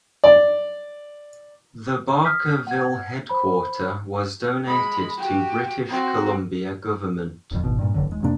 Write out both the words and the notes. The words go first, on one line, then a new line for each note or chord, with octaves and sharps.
The Barkerville headquarter was donated to British Columbia government.
D5
D#6 F6 G6 B6
F#5 G#6
C5 B5
G#3 B5
F#4 G4
C4 F#4
D1 F2
D1 G#1 B2
G2 A#2
G1 C#2 F#2 D3
D#1 G#3
F2 C3 A#3 D4